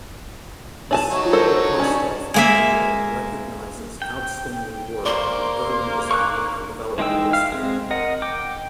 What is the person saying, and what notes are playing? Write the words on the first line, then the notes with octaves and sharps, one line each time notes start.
The "Spiro Kostof Book Award" recognizes outstanding work on urban design and development history.
D4 G#5 A5
F#3 D#4 C#5
A4 A#4 C5
C#4 D4
G#3 A#3 E5
G5
A#3 C5 D5 C6
C#6 D6 F#6
E3 G#3 D#4 G5 E6
E5 F5 F6
G#3 C4
A#4 D#5 F#5
G5 D6